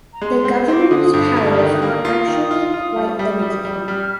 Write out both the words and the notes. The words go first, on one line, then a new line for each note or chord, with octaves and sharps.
The governor's powers are actually quite limited.
A#5
G#3 C6
C6
C4
C6
C4 D6
D3 D#6
G2
D3
F6
D#3 D#6
A#3
F6
D#6
F4
D#3
F4
F4
G3
G3
G3
G3
G3 F6